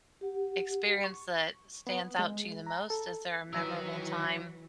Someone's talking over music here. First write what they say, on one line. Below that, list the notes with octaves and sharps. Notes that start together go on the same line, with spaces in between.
experience that stands out to you the most? Is there a memorable time
G4 F#5
C#6
B3
G#3
A#5
A4
D#3 E3 F#3 A#4 E6